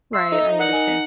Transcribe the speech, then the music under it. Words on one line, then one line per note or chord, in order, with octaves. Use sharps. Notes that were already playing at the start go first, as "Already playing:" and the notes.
Right. I understand.
E5 C6 E6 C7
D#4 A4 E5
A#4 D5 F#5
A#4 G#5